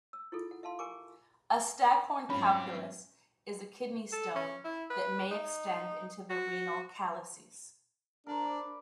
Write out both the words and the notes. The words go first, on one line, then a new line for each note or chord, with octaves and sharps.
A "Staghorn calculus" is a kidney stone that may extend into the renal calyces.
E6
E4 F4 G#4 A4
F#5
E5 F5 A5 C6
G4 A#4 G#5 A#5 C#6 D6
G#2 F#3 C4 C#4 F4 B5
A4
C#4
E4
B4
D#4
F#4
D4 A#4 C5
D5 B5